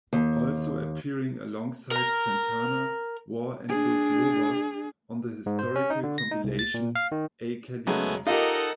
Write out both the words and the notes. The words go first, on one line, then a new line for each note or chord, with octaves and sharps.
Also appearing alongside Santana, War, and Los Lobos on the historical compilation Ay Califas!
D#2
A#4 A#5
D4 G#4
G#2
C5
C#4
D#4
D3
A#6
D#4
C2
A6
A#2
F5
D#3
C#3 F#3 G#3 A3 B3 G#5
D#4 F4 G4 A4 A#4 D#5 F#5